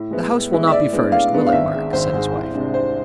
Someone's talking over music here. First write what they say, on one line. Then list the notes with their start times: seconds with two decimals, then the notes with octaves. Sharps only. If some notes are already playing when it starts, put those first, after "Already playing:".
"The house will not be furnished, will it, Mark?" said his wife.
Already playing: A2
0.11 G#3 B3 E4
0.31 A2
0.52 G#3 B3 E4
0.67 E5
0.72 A2 D5
0.93 G#3 B3 D4
1.12 A2 F5
1.33 G#3 B3 D4
1.47 F5
1.52 G#1 E5
1.73 G#2 G#3
1.93 G#1 C5
2.13 G#2 G#3
2.33 C2
2.54 C3 G#3 D4
2.74 C2 C5